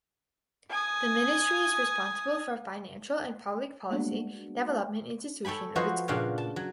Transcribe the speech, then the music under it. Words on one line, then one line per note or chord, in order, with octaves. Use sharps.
The ministry is responsible for financial and public policy development institution of its Government.
G#5 D#6
G3 G#3 A#3 B3 D4 F#4
A4 C#5 G5 G#5 B5
F3 B3 F#4 C5 C#5 D#5
A#2 C#3 D4 F#4 F5 G5
A5
F#3